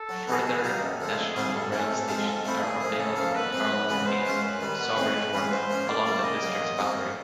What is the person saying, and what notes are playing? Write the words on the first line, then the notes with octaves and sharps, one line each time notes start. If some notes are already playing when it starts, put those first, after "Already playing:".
Further National Rail stations are available at Harlow, and Sawbridgeworth, along the District's boundary.
Already playing: A4
F#3
B3 D#4 G#4 B4
E3 G#4
G3 A#3 D#4 G4
F#2 A4
D3 F3 G#3
F2 G#4
D3 G3 C4 F4
G2 A4
E3 A3 C#4
C3
F3 G#3 C4 F4
G#2
F3 A3 C4 E4
A#2 G#4
F3 A3
C#3 A4
F3 A#3 C#4
B2 B4
G#3 C4
F#2
C#3 E3 G#3 B3
B2 C5
G#3 C#4 F4
F#2 B4
D#3 G3
B2
G#3 C4 D#4
A2
E3 G#3 C#4 F4
G#2 C5
F3 A#3 C#4
A#2 D5
G3 A#3
C#3 D#5
F#3 A#3
E2
C3 F3 A#3 D4
F2